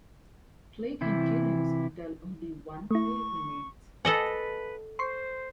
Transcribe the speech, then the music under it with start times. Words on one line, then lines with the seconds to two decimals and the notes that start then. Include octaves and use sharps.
Play continues until only one player remains.
1.01 C3 E3 E4
2.91 A3 E4 C#6
4.05 A4 B4 D#5 F#5 G#5
4.99 C5 C6 C#6 C7